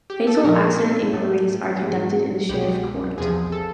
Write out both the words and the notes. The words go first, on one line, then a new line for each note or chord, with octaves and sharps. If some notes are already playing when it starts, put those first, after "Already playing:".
Fatal accident inquiries are conducted in the Sheriff Court.
G4
A4
A#2 F3 A3 A#4
A4
A2 F#3 A3
G#2 E3 G#3
C2 B2 G#3 G4
E2 C3 F3 G#4
A4